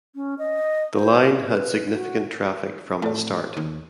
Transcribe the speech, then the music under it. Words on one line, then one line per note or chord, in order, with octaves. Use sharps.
The line had significant traffic from the start.
C#4
D#5
C5
B4
F#4
A2 A3 D5
D#2